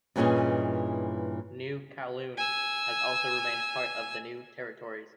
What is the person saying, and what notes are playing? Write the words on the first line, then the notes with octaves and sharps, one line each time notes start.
"New Kowloon" has also remained part of the New Territories.
G2 A#2 E3 C#4 G#4 D#5
G#5 E6